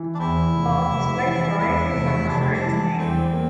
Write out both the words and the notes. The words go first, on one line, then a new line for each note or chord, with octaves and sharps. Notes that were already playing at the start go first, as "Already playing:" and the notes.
Bahr has played for Racing Santander in Spain.
Already playing: E3
D4
E2 C4 E4
F1
F1
E3
E2 E4
F1
F1 D4
C4
A#3 D4
E3
E2 A3 C4
A#3